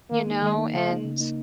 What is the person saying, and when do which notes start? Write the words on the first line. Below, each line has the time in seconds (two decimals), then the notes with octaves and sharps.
you know, and
0.11 D#3 A#3
0.27 A#3 D#4
0.42 D#3 G#3
0.58 A#3 D#4
0.73 C#3 F3
0.89 A#3 D#4
1.05 C#3
1.21 A#3 D#4